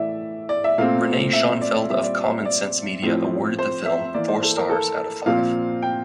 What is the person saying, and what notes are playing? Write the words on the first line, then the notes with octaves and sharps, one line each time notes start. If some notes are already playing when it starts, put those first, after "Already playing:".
Renee Schonfeld of Common Sense Media awarded the film four stars out of five.
Already playing: A2 E3 A3 D5 E5
D5
E5
A#2 A3 C4 F5
E5
D5
A#2 G3 C4 E5
D5
D5
A2 F3 C4
C5
E5
E3 A#3 D5
C5
A4
A#4
A4
A#2 F3 C4 F5
G5